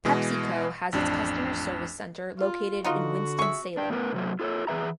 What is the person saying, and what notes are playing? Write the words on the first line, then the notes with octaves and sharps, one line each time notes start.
PepsiCo has its Customer Service Center located in Winston-Salem.
B2 E3 G#3
A1 F2 D4
F4
D3 B3 D#4 F4 F#4
G#4 E5 C#6
D4 G5
A2 B3 A#4 B4
C3 F#3 A3
F4 A4 B4 C#5
E3 G#4 B4 E5 A#5